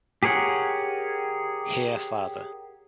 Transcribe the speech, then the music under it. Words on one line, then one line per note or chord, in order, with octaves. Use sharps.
Here Fr.
G4 G#4 A#4 C#5 F#5